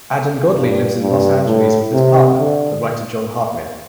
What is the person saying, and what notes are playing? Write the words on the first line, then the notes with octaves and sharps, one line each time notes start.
Adam Godley lives in Los Angeles with his partner, the writer Jon Hartmere.
G2
G2
A2
C3
D3